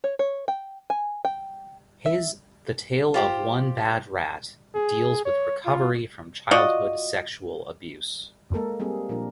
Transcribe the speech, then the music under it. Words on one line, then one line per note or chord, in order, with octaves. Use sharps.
His "The Tale of One Bad Rat" deals with recovery from childhood sexual abuse.
C#5
C#5
G5
G#5
G5
E5
F4 G4 C5
G#4
C#5
F4
F4 F#4 D5 D#5
G#3 A#3 A4 A#4
G3 A#3 C4 G#4
A#2 F3 D4 A#4